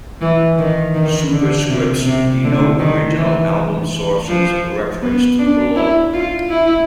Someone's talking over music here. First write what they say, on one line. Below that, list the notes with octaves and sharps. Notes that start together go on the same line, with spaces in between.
Superscripts denote original album sources, referenced below.
E3
D#3
D#3
D3
C3
C3
D3
D#3
E3
F3
B3
D4
E4
F4
E4